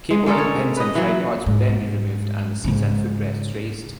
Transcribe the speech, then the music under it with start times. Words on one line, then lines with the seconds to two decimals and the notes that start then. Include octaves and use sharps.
Cabling, pins, and tripods would then be removed and the seats and footrests raised.
0.11 G#3
0.26 G#3 C#4 A4 A#4
0.38 C#5
0.77 B4 D#5
0.95 E3 F#3
1.46 G#2
2.64 G#2 C#3